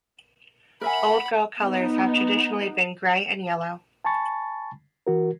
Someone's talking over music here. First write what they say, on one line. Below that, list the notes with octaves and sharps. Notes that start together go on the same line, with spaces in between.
Old Girl colors have traditionally been grey and yellow.
A#4 E5 F#5 G#5 B5
B3 D#4
G#5 A5 B5 C#6 A6
E3 F#4 A#4